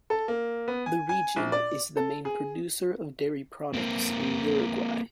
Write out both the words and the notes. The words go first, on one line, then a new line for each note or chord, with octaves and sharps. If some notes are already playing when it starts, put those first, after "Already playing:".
The region is the main producer of dairy products in Uruguay.
A4
A#3
B3
G#5
G#5
A#1
D5
A4
G#4
A#3 C4